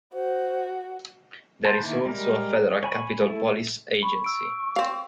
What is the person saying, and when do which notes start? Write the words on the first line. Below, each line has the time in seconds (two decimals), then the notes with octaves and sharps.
There is also a federal capitol police agency.
0.14 F#4 C5
1.65 B4 C5 A5
1.79 D#3 A#3 E4
2.05 G3 G#3 A#4
2.83 C#5 G#5 B5 C#6
3.22 A3 E4
4.03 B5 C#6
4.24 E6 D7
4.76 C4 F5